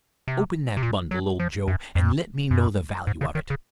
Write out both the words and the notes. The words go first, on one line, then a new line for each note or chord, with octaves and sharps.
Open that bundle, old Joe, and let me know the value of it.
C3
C3
A#2
F#3
F3
F#2
F2
F#2
G#2
C#3
D#3
C#3